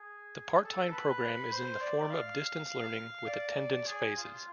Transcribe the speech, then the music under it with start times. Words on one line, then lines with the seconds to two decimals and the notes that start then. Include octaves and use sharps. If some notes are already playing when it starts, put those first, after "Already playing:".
The part-time program is in the form of distance learning with attendance phases.
Already playing: G#4
0.63 A4
0.92 B4
1.52 C5
1.81 D5
2.10 F5
3.28 D5
3.87 G#4
4.17 F4